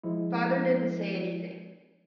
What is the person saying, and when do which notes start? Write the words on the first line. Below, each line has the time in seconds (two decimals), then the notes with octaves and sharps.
Father didn't say anything.
0.04 F3 G#3 E4